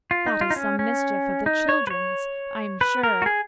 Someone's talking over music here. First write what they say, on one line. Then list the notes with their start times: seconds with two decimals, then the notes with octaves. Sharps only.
That is some mischief of the children's, I am sure.
0.11 F4
0.26 D#4
0.41 F4
0.50 D#4
0.56 C#4
0.79 C#4
1.46 D#4
1.69 C#5
1.87 B4
1.90 C#5
2.81 B4
3.03 A#4
3.22 F#4
3.26 G#4